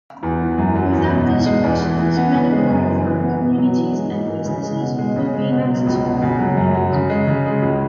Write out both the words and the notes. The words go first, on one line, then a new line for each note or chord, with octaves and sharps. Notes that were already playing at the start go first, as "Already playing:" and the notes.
Without these crossings many waterfront communities and businesses would be inaccessible from land.
E2
E3
F#2
F#3
E2
B2
G#2
G#3
E2
E3
E3
B3
C#3
G#3
F#2
E3
E3
B3
B2
F#3
E3
G#3
G#2
E3
C#3
G#3
B2
G#3
C#3
G#3
B2
F#3
C#2
B2
C#3
F#3
F#2
F#3
C#3
G#3
C#3
G#3
C#2